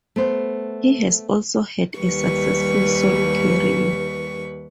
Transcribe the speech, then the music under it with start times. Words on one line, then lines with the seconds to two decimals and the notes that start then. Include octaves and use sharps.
He has also had a successful solo career.
0.16 A3 B3 C5
1.99 D#2 G3 B4 C#6